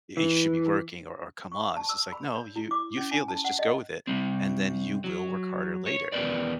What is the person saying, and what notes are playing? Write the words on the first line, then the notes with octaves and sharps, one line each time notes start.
y you should be working," or or "Come on." it's just like, "No, you you feel this, just go with it." and then you will work harder later.
E3
C#6
A5
E6
B5
C#5
E4
D6
C#4
G#5
A5
F#5
D#5
G3 C4
F#3
C#5
E2 B3 A#4 B4 D5